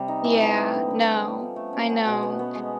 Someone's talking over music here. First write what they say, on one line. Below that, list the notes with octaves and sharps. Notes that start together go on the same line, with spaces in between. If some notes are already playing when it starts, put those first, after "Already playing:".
Yeah. No. I know.
Already playing: C3 G3
D#4
E3
D#4
G3
D3
D3
B3
C#4
F3
A3
C#4
B3
B2
B3
B3
G#3